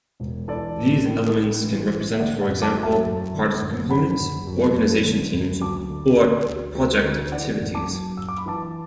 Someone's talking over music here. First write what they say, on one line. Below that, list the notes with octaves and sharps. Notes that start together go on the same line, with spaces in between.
These elements can represent for example product components, organization teams, or project activities.
E1
E3 A4 D5
A1
A2
A1
E3
A1
E5
D3 D5 F#5
D5 F#5
F#1
A5 D6
F#2
E5 A5
F#1
D3
F#1
D3 F#5 B5
F#1
F#2
F#1
D3
F#1
D2 A5 D6
D3
D3
D2
D2
D3
E3 D5 F#5
F#1
A5 D6
F#2
F#1 E6
D6
B5
E3 A5 D6